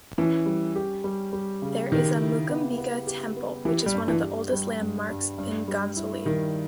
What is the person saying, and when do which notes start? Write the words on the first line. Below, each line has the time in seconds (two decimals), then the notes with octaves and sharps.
There is a Mookambika temple which is one of the oldest landmarks in Ghansoli.
0.18 E3 C#4
0.46 G3
0.76 G4
1.04 G3
1.33 G3
1.62 C#3
1.91 D#3 G4
2.21 E4
2.49 B3
2.78 B3
3.07 G4
3.36 B3
3.65 E3 G4
3.86 G3
3.94 G2
4.08 E3
4.23 G4
4.53 G3
4.82 G2
5.10 G2
5.38 G2
5.68 G3
5.97 E4
6.25 D#3 G3